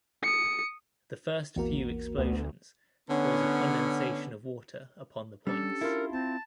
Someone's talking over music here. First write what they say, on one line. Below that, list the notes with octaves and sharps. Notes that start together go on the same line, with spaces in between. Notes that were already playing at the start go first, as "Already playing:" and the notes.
The first few explosions cause a condensation of water upon the points.
D#6 C#7
A#1 E2 A#3 F#4 A#4
D2 B3
D3 B3 C#4
G3 C#4 D4 G4 A4
E4 F4 A#4
C4 A5